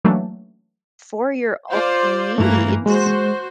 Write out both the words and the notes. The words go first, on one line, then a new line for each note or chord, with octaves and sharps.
for your own needs,
E3 F#3 A3 A#3 C#4 D4
F4 C5 D5
G2 E3 A3 A#3 A#5
G#3 F#4 C5